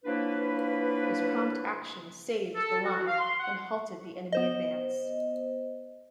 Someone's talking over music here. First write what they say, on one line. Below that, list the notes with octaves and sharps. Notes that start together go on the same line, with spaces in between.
His prompt action saved the line and halted the enemy advance.
F3 F#3 A#3 D4 E4 B4
A4
F#4
F5
C6
F#5
B3 C5 D#5